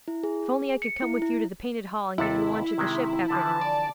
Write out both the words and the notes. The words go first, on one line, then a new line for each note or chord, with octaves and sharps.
If only I could come with you to the Painted Hall and give you lunch at the "Ship" afterwards!
E4
G#4
C#7
E4
E4
D#2 C3 E4 A4
C3 D#3 G#3
D3 E3 F3 A5
D5